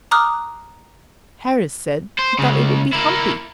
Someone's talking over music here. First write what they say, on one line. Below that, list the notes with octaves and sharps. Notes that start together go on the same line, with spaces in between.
Harris said he thought it would be humpy.
A#5 D6 D#6 F6 F#6
C5
C#2 C#3
A#3 E4